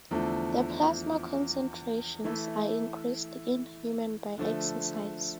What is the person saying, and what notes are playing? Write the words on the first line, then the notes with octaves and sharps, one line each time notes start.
The plasma concentrations are increased in human by exercise.
E2 D3 F3 A3
E3 A3 E4
D3 F3 A3